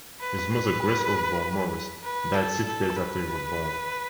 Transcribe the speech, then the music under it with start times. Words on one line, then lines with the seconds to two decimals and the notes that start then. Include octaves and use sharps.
His mother, Grace Osborn Morris, died six days after he was born.
0.20 B4
2.04 B4
2.35 A4
2.66 A4
2.97 B4